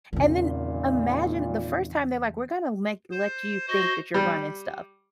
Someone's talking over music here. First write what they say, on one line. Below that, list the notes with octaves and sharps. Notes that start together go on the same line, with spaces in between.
And then imagine the first time they're, like, we're gonna make let you think that you're running stuff.
G#1 E2 A#2 C#3
C5
F#4 C5 D#5
G3